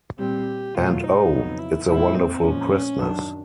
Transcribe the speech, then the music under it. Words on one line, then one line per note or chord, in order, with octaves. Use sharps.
And oh, it’s a wonderful Christmas.
A#2 G3 C4 G4
B2 F#3 A3 F4
D#4
F2 C#3 F#3 B3
E4
A#2 F3 G#3 C4 E4
C4
A#2 F3 G#3 C#4
F#2 D#3 F#3 D4